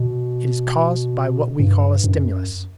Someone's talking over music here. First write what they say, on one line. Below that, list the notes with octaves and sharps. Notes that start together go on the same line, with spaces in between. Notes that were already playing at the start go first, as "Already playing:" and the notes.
It is caused by what we call a STIMULUS.
Already playing: B2
G2
F#2